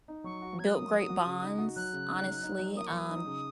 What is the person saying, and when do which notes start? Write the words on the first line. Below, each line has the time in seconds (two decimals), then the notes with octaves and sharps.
built great bonds, honestly, um,
0.08 D#4
0.24 F#3 C#6
0.42 F#4
0.59 F#3 G#6
0.67 F#6
0.75 A#3 D#6
0.92 F#3
1.09 F#4
1.25 C#3
1.43 D#4
1.58 F#4
1.76 F#3 F#6
1.93 C#3
2.10 D#4
2.26 F#3
2.43 D#4
2.59 F#3
2.76 A#3 D#6
2.87 C#6
2.93 F#3 D#6
3.09 D#4
3.26 C#3